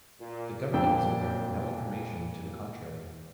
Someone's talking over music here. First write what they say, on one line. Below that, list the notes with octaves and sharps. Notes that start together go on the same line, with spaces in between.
The government is aware of no information to the contrary.
A#2
F2 A#2 D4 G5 E6